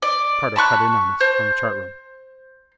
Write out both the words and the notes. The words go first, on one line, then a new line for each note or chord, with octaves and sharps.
Carter cut in on us from the chart room.
D5
A5 B5 C#6 F#6
C5